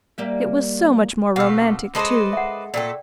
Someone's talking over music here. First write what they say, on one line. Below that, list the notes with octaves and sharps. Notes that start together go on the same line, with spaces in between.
It was so much more romantic, too.
G3 A#3 E5
B2 A3 F5 F#5 E6
C#4 C6 D6
G#3 A4 B4 C5 D5 D#5
E5 F#5
A#2 A3 A4 D5 G5